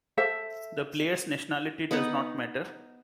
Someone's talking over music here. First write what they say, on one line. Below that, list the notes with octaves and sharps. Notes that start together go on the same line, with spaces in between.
The player's nationality does not matter.
A4 C5 E5
B3 D#4 B4 F#5